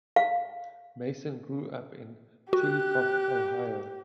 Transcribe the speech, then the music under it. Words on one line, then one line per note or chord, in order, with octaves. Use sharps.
Mason grew up in Chillicothe, Ohio.
F5
F#4 G4 F#6